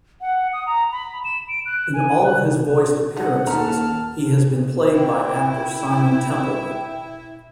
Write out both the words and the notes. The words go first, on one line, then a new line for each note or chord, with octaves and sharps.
In all of his voiced appearances, he has been played by actor Simon Templeman.
F#5
D#6
A#5
B5
E7
D7
F#6
G#5
F#6
A3 D#4 F#5
D#2 C#4 A5 A#5 F6
E4 G5